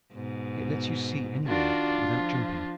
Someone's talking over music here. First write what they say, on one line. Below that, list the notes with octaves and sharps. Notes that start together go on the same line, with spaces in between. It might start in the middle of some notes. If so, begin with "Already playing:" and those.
It lets you see anywhere, but without jumping.
G#2 B2
D#3 D4 F4 F#4 D5
F3